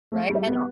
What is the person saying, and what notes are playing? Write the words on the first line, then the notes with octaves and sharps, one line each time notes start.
Right, and hon
A3
G3
B3